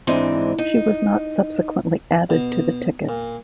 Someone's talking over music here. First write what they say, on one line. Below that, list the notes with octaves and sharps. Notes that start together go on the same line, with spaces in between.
She was not subsequently added to the ticket.
G#2 E3 G#3 C4 D4
D#4
B2
A#2